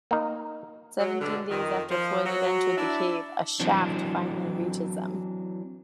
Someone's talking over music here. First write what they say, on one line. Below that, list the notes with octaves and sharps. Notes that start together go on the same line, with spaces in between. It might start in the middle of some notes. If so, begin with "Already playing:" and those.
Seventeen days after Floyd had entered the cave, a shaft finally reaches him.
A#3 D#4
F#3
G2 B2 D3
F2 D#3
F3
F#3
D4 E4
E3 F#3 C4 D4